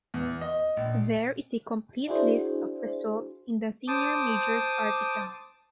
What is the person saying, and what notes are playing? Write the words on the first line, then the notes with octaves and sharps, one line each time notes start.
There is a complete list of results in the senior majors article.
E2
D#5
A#1
D4 E4 F#4 G#4 C5
C5 A5 D6 D#6